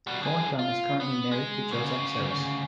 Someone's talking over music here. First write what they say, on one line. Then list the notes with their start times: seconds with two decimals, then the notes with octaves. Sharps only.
Thornton is currently married to Josep Seras.
0.07 G3 F#4
0.22 D3 G#4
0.59 F4
1.00 B3
1.31 G#3
1.71 D2 C#3